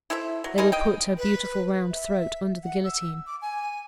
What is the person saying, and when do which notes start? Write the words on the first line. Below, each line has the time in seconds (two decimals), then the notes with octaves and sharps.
They will put her beautiful round throat under the guillotine.
0.10 E4 A4 C5 E5
0.44 F#3
0.58 G#3 D#4 E4 A#4
0.72 D#5 G5
1.18 B4
1.91 E5
2.64 F#5
2.84 E6
3.27 D6
3.42 G#5